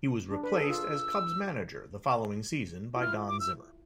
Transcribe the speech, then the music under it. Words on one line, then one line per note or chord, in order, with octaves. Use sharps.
He was replaced as Cubs manager the following season by Don Zimmer.
D4
B4
A4
G#4
F4 E6
F4
E4 F6
D6
E6